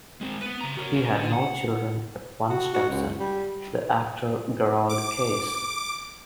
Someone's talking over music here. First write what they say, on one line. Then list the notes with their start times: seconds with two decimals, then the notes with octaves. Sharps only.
He had no children but one stepson, the actor Gerald Case.
0.21 G#3 C4
0.42 B3 B4
0.61 C#3 A#5
0.77 F#4 A#4 B4 C#5
1.15 D3
1.33 F#5
2.49 F#4
2.74 F#4
2.89 C#2
3.20 G3
4.89 D6